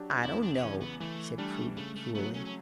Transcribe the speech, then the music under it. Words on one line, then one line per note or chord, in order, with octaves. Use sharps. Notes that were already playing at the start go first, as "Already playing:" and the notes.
"I don't know," said Prudy, coolly.
Already playing: F#3 D4 G4
E2 E4
D4
D4
C#3 E3 C#4
B3
E3 A3
G3 A3 D4
C#3 A3
A3
F#3 A3 B3
C#4
C#4